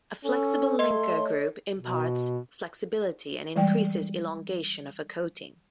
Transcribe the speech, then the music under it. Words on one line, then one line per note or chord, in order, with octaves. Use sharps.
A flexible linker group imparts flexibility and increases elongation of a coating.
C#4 A4
A3 D#5 C6
C#5
B2
E3 G3 G#3 D5 G5